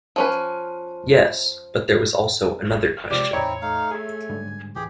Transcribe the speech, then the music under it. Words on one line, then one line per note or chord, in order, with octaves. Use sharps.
Yes; but there was also another question.
F3 C#4 B4
C3 F3 G#3 G4 D5
E2 A2 C4 D#4 E4 C#5
A3 D#4 F5
G#4 E5 G#5
G#2 D3 G3
D2 A2 E3 G4 G#4